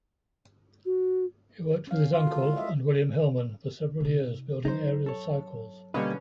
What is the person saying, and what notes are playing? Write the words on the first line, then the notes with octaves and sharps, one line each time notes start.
He worked with his uncle and William Hillman for several years building Ariel cycles.
F#4
C#4 F5
F4
F#4 A4
G#3 E4
D#5 E5
C3 D#4
F#3 D#4 C5
A4 C#5
B2 D3 G3 A#3 C#4 B4 D#5